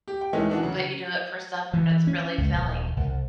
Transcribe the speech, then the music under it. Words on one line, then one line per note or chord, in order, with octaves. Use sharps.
but you do it for supper and it's really filling.
G4
G5
D#3 E3 G#3 A3 C#4 D#4
E3 D4 F#4
C#3 F#3
E3
C#4
C#2
D#1
C2